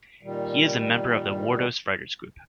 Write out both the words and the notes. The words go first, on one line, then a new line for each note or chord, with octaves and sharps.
He is a member of the Wordos writers' group.
A#2 D#3 G3